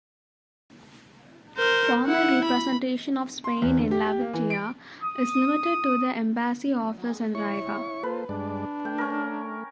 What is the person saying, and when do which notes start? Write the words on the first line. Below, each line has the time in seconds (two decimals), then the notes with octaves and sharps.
Formal representation of Spain in Latvia is limited to the embassy office in Riga.
1.58 A#4 C5
2.07 E4 F#5
2.45 B5
3.44 C6
3.62 E2
3.77 D3
3.91 G4
4.07 G4
4.21 A#3
4.33 E3
4.50 D7
5.03 D#6
7.35 E4 C#5 C#6
8.03 A#3 F4 A4 B4 C5
8.29 G2 G#3 D4 D5
8.85 A3 G5
8.98 C#4 A#4